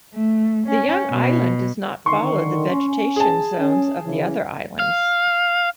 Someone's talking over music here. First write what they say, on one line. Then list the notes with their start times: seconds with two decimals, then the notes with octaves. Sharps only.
The young island does not follow the vegetation zones of the other islands.
0.15 A3
0.66 C#4
1.12 B2
2.06 D3 D#3 C6 C#6
2.69 C#4
3.16 G#4 A5
3.59 C#4
4.04 C#3 E3
4.79 F5